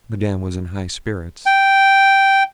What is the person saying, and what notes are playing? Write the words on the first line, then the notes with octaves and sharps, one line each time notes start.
Madame was in high spirits.
G5